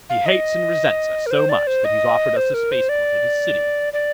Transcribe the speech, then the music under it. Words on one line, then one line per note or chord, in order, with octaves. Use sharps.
"He hates and resents us so much that he's offered us a spaceport at his city...."
F5
D#5
A#4
C5
D5
C5
D#5
C5
A#4
C5
D5
D5